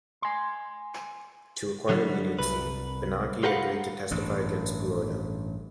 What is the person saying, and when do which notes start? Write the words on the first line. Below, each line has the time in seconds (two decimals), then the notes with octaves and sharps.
To acquire leniency, Bianchi agreed to testify against Buono.
0.22 G#5 C6
1.89 D3 F#3 G3
2.39 C2 B4
3.43 F4 G4 A#4 B4 F5 F#5
4.11 A1 G2